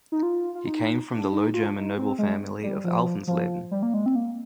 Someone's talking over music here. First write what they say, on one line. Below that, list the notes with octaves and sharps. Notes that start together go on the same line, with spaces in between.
He came from the Low German noble family of Alvensleben.
D#4
F4
F4
D#4
D4
D#4
F4
D4
D#4
C4
G#3
G3
F3
F3
G3
A#3
G#3
C4
A#3